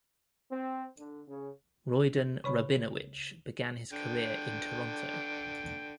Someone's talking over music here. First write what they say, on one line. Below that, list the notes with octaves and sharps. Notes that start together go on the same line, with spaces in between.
Royden Rabinowitch began his career in Toronto.
C4
D3
C#3
C#3 C#5 B5 C#6
D3 G5